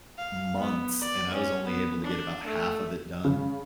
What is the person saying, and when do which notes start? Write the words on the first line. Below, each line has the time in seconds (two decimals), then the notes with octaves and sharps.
months, and I was only able to get about half of it done.
0.18 F5
0.59 B3
1.01 D5
1.33 C#4
1.66 B3
2.04 D4
2.47 A3
3.25 C#3